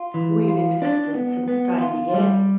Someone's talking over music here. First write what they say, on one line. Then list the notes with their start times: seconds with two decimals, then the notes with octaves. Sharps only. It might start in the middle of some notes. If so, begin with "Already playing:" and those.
We've existed since time began.
Already playing: F4
0.14 E3
0.48 F4
0.82 D4
1.14 B3
1.48 B3
1.81 F4
2.14 G3